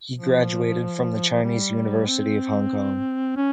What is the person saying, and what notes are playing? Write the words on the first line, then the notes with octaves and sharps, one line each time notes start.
He graduated from the Chinese University of Hong Kong.
F3
G3
C4
C#4